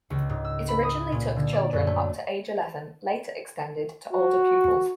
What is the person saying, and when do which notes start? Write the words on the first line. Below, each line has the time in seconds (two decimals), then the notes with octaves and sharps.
It originally took children up to age eleven, later extended to older pupils.
0.10 C#2
0.29 G#2
0.45 E6
0.68 B5
0.84 D#6
1.12 A#2
1.36 D3
1.53 D5
1.73 F#2
1.87 A3
4.13 F#4